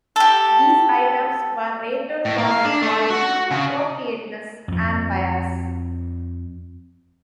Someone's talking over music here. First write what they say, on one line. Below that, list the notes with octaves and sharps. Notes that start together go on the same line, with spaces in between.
These items were rated for their quality, appropriateness, and bias.
G4 A4
A2
A#3
F5
D4
A3
F#4
C#3
F2 F3